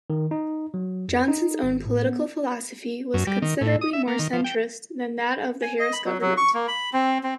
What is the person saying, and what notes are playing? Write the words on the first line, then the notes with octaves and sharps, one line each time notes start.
Johnson's own political philosophy was considerably more centrist than that of the Harris government.
D#3
D#4
F#3
F2
D#4
G#1
A2
B3
F#2
G3
D#3
A2
D#6
E5
A#3
D#3
F3
G5
G#5
D#5
B5
F#3
F#3
C#6
A#3
B5
C4
C4